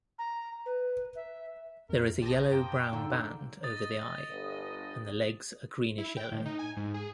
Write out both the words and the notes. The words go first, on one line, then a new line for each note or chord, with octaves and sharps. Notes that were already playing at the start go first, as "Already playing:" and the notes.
There is a yellow-brown band over the eye and the legs are greenish-yellow.
A#5
B4
E5
F2 A#4
A1 G4 C5 A5 D#6 A#6
F#2 A#3 C5 G5
D3 A#3 D#4 E6
D#5 D#6 A6
G1
E4
G5
A2
D#4
G#5
G#2
G#4